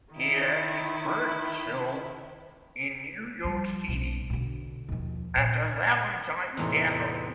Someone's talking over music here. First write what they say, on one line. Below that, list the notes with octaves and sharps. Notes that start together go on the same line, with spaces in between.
He had his first show in New York City at the Valentine Gallery.
D#3 E4
F3 G3
B1 C#4
B2 D3
D#2 F3
A#2 C#3
E2 A2 C3 B3 C4 D#4